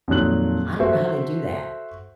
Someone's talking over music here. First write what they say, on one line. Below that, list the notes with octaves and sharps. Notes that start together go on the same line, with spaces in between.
I don't know how they do that.
F2 A#2 D#3 F#3 F#6 F#7
F#4 A4 C5 E5